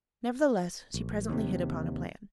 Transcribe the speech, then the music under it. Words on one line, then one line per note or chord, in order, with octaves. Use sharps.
Nevertheless she presently hit upon a plan.
A#1
D#2 C3